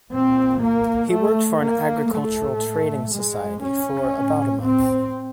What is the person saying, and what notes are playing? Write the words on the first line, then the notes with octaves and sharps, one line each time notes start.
He worked for an agricultural trading society for about a month.
A#2 C4
A#3
A3
A#3
A2 A3
G#3
C#4
A2
C4